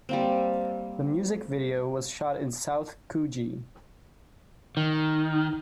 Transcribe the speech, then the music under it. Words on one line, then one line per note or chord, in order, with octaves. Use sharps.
The music video was shot in South Coogee.
G3 A#3 C4
D#3